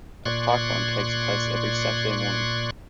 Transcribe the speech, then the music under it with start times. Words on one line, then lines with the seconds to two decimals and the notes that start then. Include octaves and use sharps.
A Parkrun takes place every Saturday morning.
0.26 A#2 D5 C6 C#6 F#6 G#6